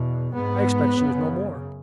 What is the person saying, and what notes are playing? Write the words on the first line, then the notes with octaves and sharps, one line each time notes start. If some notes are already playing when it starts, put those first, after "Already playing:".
"I expect she is no more."
Already playing: E2 B2
G#2 B3
F#2 C#3